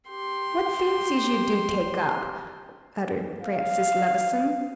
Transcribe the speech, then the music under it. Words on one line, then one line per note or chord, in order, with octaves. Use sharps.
"What fancies you do take up!" uttered Francis Levison.
G4 C6
F5